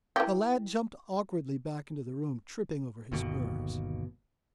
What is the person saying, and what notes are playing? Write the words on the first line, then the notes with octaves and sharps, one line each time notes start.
The lad jumped awkwardly back into the room, tripping over his spurs.
E3 G4
G1 D#2 B2